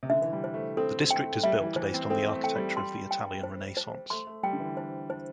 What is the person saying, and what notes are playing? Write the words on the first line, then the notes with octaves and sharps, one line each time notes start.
The district is built based on the architecture of the Italian Renaissance.
C3
D3 E5
E3
G3
C5
A3
C4 A4
A3 G5
G3 E5
E3
E3 C5
C4
C4 A4
A3
G5
G3
C6
G5
C5
C5
A3 C6
A3
G3 G5
D3
E3
C5
C5